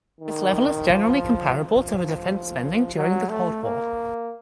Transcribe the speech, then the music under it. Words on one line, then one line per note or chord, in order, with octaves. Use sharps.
This level is generally comparable to the defense spending during the cold war.
D#3
F3
F3
F#3
A3
A#3